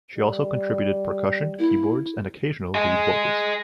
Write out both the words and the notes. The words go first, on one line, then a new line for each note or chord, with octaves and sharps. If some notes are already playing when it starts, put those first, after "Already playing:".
She also contributed percussion, keyboards, and occasional lead vocals.
G3
A#3 E4
D#5 G#5